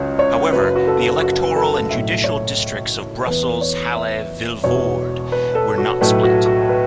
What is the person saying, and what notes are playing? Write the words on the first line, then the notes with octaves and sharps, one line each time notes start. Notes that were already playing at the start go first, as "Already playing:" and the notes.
However, the electoral and judicial districts of Brussels-Halle-Vilvoorde were not split.
Already playing: C#2 C#3 F#3 C#5
C#5
F#1 F#2 F#3 B4
F#4
A4
F#4
A4
B1 A2 A3 E5
C#5
E2 E3 B3 B4
C#5
E5
E1 E2 B2 B3 C#5
B4
A4
F#4
B1 A2 F#3 A3 B4
F#4
F#4
B4